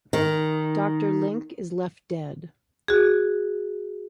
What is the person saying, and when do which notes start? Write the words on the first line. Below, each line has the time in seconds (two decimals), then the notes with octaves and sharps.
Doctor Link is left dead.
0.13 D#3
2.88 F#4 G#4